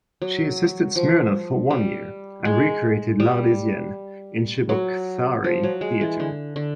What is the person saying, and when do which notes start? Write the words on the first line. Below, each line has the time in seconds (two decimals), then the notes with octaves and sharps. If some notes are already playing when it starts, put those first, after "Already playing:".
She assisted Smirnov for one year and recreated "L'Arlesienne" in Cheboksary Theatre.
0.22 F#3
0.96 F3
1.70 G3
2.45 G#3
3.20 G3
4.69 F#3
5.44 F3
5.63 F#3
5.81 G#3
6.01 E3
6.20 D3
6.56 D3